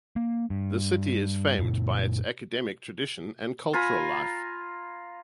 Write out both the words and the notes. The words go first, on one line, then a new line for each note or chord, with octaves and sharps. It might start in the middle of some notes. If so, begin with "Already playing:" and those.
The city is famed by its academic traditions and cultural life.
A#3
G2
F#2 A#2
F4 G#5 A#5 B5